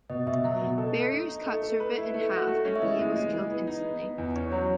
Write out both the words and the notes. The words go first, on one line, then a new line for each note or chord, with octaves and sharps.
The barriers cut Cevert in half and he was killed instantly.
B2 D#5
B2 E5
F#3 E5
B2
A4 D#5
A3
D#4
D#4
A3
A3
B4
E4
A3
F#4
A3
C#4
E5
E3 D#5
G#3
G#3
E3
B3
D#4
B3
B3
E2
C#4
F#3 C#5